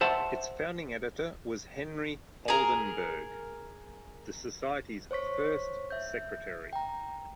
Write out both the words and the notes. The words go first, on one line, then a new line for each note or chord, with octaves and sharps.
Its founding editor was Henry Oldenburg, the society's first secretary.
C5 E5 F#5 A5
G#4 A#4
C5 C#5 C#6 B6
E5 G6
G5 A#5